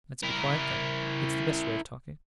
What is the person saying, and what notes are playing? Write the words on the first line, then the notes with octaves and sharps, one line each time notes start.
"Let's be quiet, then: it's the best way of talking."
E4 A#4